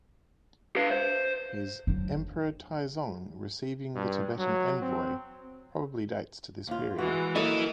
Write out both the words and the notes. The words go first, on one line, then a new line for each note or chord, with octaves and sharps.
His "Emperor Taizong Receiving the Tibetan Envoy" probably dates to this period.
B4 F5
C5
F#3 D4
G2
F#3
C4
D#2 F4
E3 G#3 F#4
E3 F#3 A#3 A4 D#5